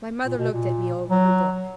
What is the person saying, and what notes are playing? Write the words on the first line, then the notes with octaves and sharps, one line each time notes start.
My mother looked at me over her book.
A#2
B2
A#2
F#3